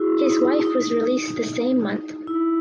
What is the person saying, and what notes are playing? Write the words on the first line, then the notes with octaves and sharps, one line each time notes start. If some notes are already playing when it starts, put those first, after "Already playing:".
His wife was released the same month.
Already playing: E4 F#4 G#4
D#4
D#4
E4